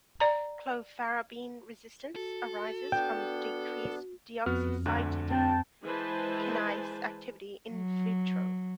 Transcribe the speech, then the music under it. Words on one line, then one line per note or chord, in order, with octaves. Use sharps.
Clofarabine-resistance arises from decreased deoxycytidine kinase activity in vitro.
D5 A#5
F#4 A4
B3 D4 G5
F2 B3 F#4 F6
D2 D3 F#6
C4 G5 A5
E3 G#3 B4 C5 G#5 A5
F#3